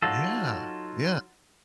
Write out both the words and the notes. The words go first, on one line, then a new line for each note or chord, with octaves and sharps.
Yeah, yeah.
F#3 D#4 F4 A4